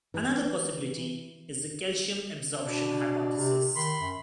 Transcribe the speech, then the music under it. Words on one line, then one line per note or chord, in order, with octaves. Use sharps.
Another possibility is the calcium absorption hypothesis.
E3
B2 D4
C3
D#3 B5 C6
F#2